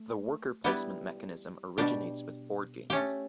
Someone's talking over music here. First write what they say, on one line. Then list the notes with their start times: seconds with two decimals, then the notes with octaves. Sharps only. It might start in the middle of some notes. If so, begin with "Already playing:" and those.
The worker placement mechanism originates with board games.
Already playing: A3
0.64 G3 B3 E4 G4
1.78 B2 G3 D4 G4 D5
2.90 A3 C#4 G4